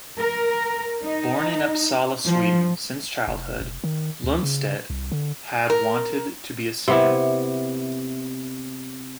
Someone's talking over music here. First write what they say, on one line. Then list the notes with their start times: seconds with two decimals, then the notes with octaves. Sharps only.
Born in Uppsala, Sweden, since childhood, Lundstedt had wanted to be a singer.
0.19 A#4
1.04 D#4
2.26 F3
3.27 F1
3.60 F1
3.84 D#3
4.24 D2
4.43 C#3
4.90 C2
5.12 D3
5.70 A#4
6.88 C3 B3 E4